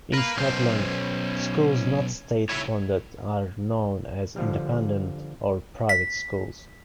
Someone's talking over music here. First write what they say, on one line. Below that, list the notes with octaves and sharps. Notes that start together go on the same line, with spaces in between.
In Scotland, schools not state-funded are known as independent or private schools.
A#4 B4 F5
B1 C#4 C5
A2 C#3 E4 C#5
D3 F3 G3
B6